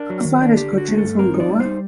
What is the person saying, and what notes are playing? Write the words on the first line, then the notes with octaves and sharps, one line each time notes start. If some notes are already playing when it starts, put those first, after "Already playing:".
How far is Cochin from Goa?
Already playing: D4 A#4
F#3
D#3
D4
D3 G4
D3
F#4
A3
A4
G2
C4 A#4
D#4
D5
G3
C5
D#4